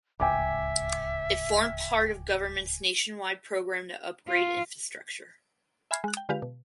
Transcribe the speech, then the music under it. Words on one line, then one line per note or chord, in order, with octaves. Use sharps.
It formed part of government’s nationwide programme to upgrade infrastructure.
D1 G#1 C#2 E5 G5 G#5 D6
F4
E5 G#5 B5 F6 G#6 C7
G#3 F#6
G5
D3 G#3 F4 G4 B4 F5
B2